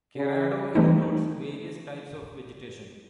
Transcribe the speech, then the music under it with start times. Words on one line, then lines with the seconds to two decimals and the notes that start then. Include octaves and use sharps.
Cerrado includes various types of vegetation.
0.16 C#3
0.75 E3 G3 A3 C4 D#4